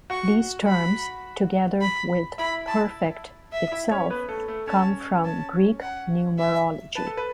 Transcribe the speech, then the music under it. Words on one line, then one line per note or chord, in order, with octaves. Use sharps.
These terms, together with "perfect" itself, come from Greek numerology.
F#4 F#5 C#6
B5
B5
E4 E5 B5
A5
E5
E4 E5
C#4 C#5
B3 B4
A3 A4
A3 A4
C#4 C#5 A5
A5
F#5
E5
B4 A5
A4
B4